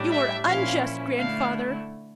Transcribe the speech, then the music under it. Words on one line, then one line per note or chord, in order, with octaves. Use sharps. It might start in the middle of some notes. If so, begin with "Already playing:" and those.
You are unjust, Grandfather.
Already playing: A2 G3 D4
E5
A#2 F3 C#4 E4 F5
D3 A3 E4 F5